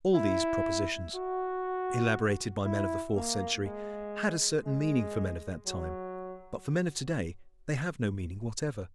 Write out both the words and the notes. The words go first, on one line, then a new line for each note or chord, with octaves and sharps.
All these propositions, elaborated by men of the fourth century, had a certain meaning for men of that time, but for men of to-day they have no meaning whatever.
E4
F#4
E4
A#3
G#3
G#3
F#3